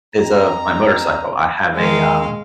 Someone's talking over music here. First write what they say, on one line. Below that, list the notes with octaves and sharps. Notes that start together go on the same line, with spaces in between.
is of my motorcycle. I have a, um
F2 A#5
D#3 G#3 F5